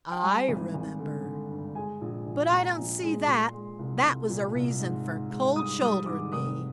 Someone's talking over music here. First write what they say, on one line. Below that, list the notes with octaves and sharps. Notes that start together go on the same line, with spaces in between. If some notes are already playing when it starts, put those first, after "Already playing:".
I remember. But I don't see that that was a reason for cold-shouldering me.
G5
G3 G#5
G#1
G#1
D3
D3
G2
G#3 G#5
A#1
A#1
A#2 A#5
A#1
G#3
A#2 C6
G#3
C2
C2
A#2
C2
G#2
G#2
G#2
G3 D#6
G3 D#6
G#2 D6
F1 D#6